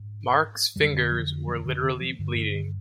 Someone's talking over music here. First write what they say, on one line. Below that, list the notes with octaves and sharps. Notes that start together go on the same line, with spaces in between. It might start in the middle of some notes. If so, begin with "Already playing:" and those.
Mark's fingers were literally bleeding.
Already playing: G#2
F2 D3 G3
F3
F3
D3
D3
F3
G2 D3
D3
D3